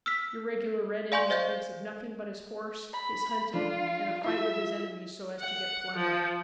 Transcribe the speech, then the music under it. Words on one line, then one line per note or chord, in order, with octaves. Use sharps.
Your regular Red Indian thinks of nothing but his horse, his hunting, and a fight with his enemies so as to get plunder.
E6 F6 B6
D5 F5 G#5 C6 C#6 G6
C5 D#5 F5 G6
B5
F3 D4 F4
E4 F4 E5
F#5
F3